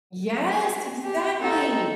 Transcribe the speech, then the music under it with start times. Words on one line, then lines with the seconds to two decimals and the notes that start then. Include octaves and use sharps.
Yes, exactly.
1.04 G4
1.39 C4 D#4 A4